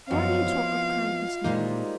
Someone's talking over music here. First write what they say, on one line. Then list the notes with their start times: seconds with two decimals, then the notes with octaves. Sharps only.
"Why do you talk of kindness now?"
0.11 F#2 F3 F#3 B3 C4 D#5 F5 C6
0.47 E4 F4
1.44 A#2 G3 G#3 A#3 D#4 C5